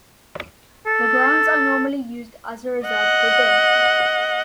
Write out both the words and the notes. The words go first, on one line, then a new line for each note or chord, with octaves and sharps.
The grounds are normally used as a reserve for deer.
A4
D#5 F#5